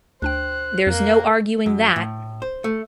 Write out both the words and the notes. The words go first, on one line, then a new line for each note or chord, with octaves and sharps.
There's no arguing that.
D2 D4 C5 G5 F#6
F2 A#3 F#6
F#2
A2
C5
A3